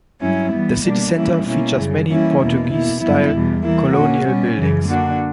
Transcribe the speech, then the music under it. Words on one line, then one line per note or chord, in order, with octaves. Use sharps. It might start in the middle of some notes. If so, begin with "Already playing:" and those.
The city centre features many Portuguese-style colonial buildings.
G2 F#3 C#4 E4
E3 G3 B3
B2 G3 A#3 D4
E3 G3 A#3 C#4 E4
B2 A#3 C#4 E4
F#2 C#3 G3
E3 G3 A#3 C#4 E4
E2 B2 A#3 E4
B2 A#3 E4
G2 F#3 B3 E4
E2 B2 G3
E3 G3 A#3 E4
A#2 A#3 C#4 F#4
B2 G3 C#4
F#2 C#3 E3
D3 A#3 D4 F#4